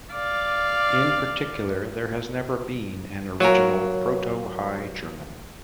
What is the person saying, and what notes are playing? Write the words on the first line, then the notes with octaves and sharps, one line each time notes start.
In particular, there has never been an original "Proto-High German".
D5 F5
F#3 A#3 A#4 C#5 G#5